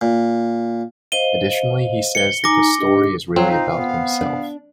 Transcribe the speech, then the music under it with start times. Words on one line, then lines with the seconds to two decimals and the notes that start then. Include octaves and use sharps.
Additionally he says, that the story is really about himself.
0.01 A#2
1.12 C5 D#5 F5 D#7 G7
2.15 C#7 G7
2.44 D#4 G#5 A#5 D6 A#6
2.79 D4 G4 D#5
3.36 F#3 C4 F4 F5
3.51 D#4
3.73 B3
4.21 D4